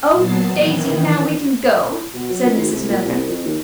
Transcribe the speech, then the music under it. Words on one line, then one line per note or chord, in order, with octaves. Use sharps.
"Oh, Daisy; now we can go!" said Mrs. Miller.
A#2 F#3 B3 A5 C7
D#3 E3
B2
F#3
F2
G#1
C2
A#2
C2
F2
D#2